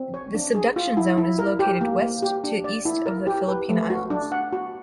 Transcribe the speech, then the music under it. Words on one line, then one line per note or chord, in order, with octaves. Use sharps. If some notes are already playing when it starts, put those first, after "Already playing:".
The subduction zone is located west to east of the Philippine Islands.
Already playing: C4
C#5
D4
G#4
F4
E4
E4
A#4
G4
A#3
A#3
G4
D4
D5
E4
A#4
G4
B4
A3
F#4
D4
F#5
F#4